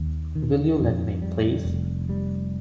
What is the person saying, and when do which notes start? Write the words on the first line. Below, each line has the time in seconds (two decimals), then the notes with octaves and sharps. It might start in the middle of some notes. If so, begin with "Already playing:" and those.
Will you let me, please?
Already playing: D#2
0.36 D#3
0.79 F2
1.22 G3
1.65 F1
2.09 G3